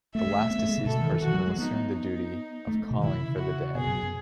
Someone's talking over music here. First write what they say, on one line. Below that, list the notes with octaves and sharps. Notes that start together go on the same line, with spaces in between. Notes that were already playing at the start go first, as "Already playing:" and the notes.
The last deceased person will assume the duty of calling for the dead.
A3 E5
G#3
A3
B3
A3
G#3
C#3
B2 A4
D#3
E3
D#3 F#4
F#3
G#3
B3 D#4
D#4
A3
B2
D#3
C#3 E4
F#4
B2 G#4
F#2